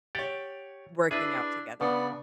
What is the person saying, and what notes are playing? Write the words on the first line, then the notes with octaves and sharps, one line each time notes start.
working out together.
G4 C#5 F#5 G5 A6
D4 E4 G#4 B4
C#3 B3 D4 D5